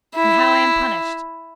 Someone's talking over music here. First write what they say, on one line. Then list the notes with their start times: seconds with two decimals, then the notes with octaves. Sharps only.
And how I am punished!
0.16 E4